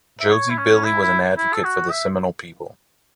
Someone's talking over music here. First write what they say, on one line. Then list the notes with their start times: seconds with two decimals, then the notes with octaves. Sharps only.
Josie Billie was an advocate for the Seminole people.
0.20 E5
0.31 C#5
0.50 E4
0.58 C#4
0.84 E4
1.02 E4
1.38 E4
1.53 A4
1.64 F#4
1.91 E5